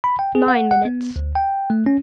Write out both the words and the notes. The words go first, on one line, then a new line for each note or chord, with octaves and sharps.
Nine minutes.
B5
G5
G#4
F#5
F#5
B3
D2
G5
A3
C#4